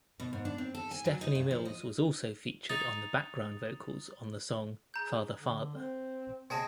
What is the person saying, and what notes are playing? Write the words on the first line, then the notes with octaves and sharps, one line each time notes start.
Stephanie Mills was also featured on background vocals on the song "Father, Father".
B2
G#2
D4
C4
A4
G#5
F#3
D#4
G2
F3
D#5
D#4 A6
G#4 A#5 G6
D3
C4
C4 G#4 D#5 G5 A5